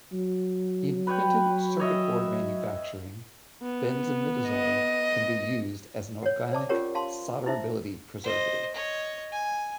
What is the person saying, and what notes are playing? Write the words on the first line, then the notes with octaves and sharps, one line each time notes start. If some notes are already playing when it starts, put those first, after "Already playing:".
In printed circuit board manufacturing, benzimidazole can be used as a organic solderability preservative.
F#3
B4 C#5 G5
C#5 D#5 E5
B3
D#5
C#5 F#5
C5 D5 A5 D6
C#4 F4 G4 A#4 C#5 F#5
F5 A5 C6
D#4 E4 C5 E5
C5 D#5
C#5 D#5
G#5